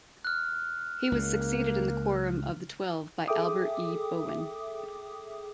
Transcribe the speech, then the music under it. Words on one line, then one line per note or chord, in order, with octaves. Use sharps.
He was succeeded in the Quorum of the Twelve by Albert E. Bowen.
F6 F#6
C#2 C#3 A#3
G#4 A4 E5 G5 D6 D#6